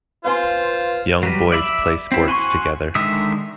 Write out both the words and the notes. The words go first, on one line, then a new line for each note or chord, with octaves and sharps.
Young boys plays sports together.
F4 B4 C5 F5 G#5 C6
F#3 G3 B4
D5 E5 B5
C4 E4
F#4 G#5 C6 C#6
D3 D#3 G#3 E5 D#6